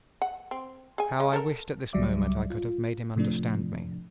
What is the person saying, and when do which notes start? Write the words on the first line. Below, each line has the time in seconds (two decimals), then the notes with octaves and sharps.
How I wished at this moment I could have made him understand me.
0.22 F#5
0.51 C4
0.98 G#4 G#5
1.20 G#3
1.33 A4 A#4
1.93 C#2 F#3 G3 D5 E5 D6
2.50 F4
3.16 A2 C3 F3 A3 D4